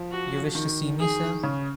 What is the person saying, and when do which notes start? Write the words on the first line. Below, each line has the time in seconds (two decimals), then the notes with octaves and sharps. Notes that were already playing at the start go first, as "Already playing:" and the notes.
You wished to see me, sir?
Already playing: F3
0.11 F#4
0.55 D#3
0.99 G#4
1.43 C#3